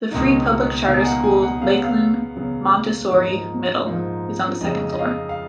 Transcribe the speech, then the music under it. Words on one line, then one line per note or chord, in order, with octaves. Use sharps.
The free public charter school, Lakeland Montessori Middle is on the second floor.
C#2 B2 A#3 D#4
C#2 B2 A#3 D#4 F5
G#5
F#5
G#5
F#5
C#3 F#3 B3 F5
F#5
F5
C#3 F#3 B3
G#2 F3 A#3 D#4
G#2 F3 A#3 D#4
F2 C#3 G#3 D#4 D#5
D#5
F5
F5